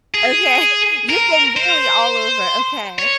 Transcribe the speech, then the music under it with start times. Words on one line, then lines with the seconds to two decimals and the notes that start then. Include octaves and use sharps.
Okay, you've been really all over, okay.
0.15 G#4
1.09 A#4
1.57 C5
2.99 C#5